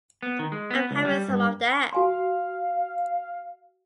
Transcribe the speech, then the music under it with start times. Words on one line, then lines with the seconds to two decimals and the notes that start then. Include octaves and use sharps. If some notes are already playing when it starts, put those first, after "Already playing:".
I'm having some of that.
0.22 B3
0.39 D#3
0.52 G#3
0.71 B3
0.91 C#2
1.05 G3
1.28 G2
1.93 F#4 F5 G#5 C6